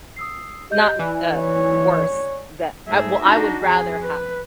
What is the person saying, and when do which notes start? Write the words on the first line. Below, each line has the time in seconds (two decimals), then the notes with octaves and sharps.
not, uh, worse that I, well, I would rather h
0.16 D#6 E6 C7
0.70 G4 D#5 G6
0.99 E3 D5 G#5 F#6
1.36 C#5
2.88 G#2 A3 G#4 E5
3.23 D4 D#4 F#4
3.63 F2 G#4
4.04 B4